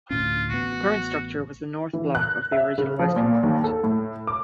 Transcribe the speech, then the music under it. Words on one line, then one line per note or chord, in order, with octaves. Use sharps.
The current structure was the North Block of the original Western Market.
D2 A2 C#4 F4
A1 B3 F#4
E3
F#6
E5
C#3
F3
A#2
D#2
A4
A2
D6